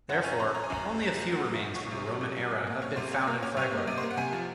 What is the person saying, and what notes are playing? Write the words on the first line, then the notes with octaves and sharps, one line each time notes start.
Therefore, only a few remains from the Roman era have been found in Fribourg.
F#2 F#5
C#4 G#5
A#5
C#4 C6
C#4 A#5
G#5
F#2 A#5
F#2
F#2
C2 A#5
F#3
F#5
F#3
F5
C2
C2 C#5
C3
F#3
C3
F#3
F#3
A#3
C#4
C3 C5
C#4
A#3
C#4
C3 C#5
A#3
D#5
C3
C5
A#3
F#5
C3 G#5
F3